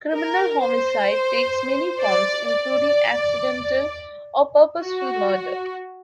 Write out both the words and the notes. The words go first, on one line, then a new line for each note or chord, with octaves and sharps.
Criminal homicide takes many forms including accidental or purposeful murder.
A#4
C5
D5
D5
F#4